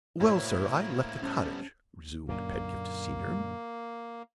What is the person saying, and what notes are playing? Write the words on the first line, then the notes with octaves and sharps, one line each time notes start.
"Well, sir, I left the cottage," resumed Pedgift Senior.
A2 F#3 A#3 E4 A#4 C5
G3 B3 C#4 C5 F5 A5
F#2 A#2 D3 A#3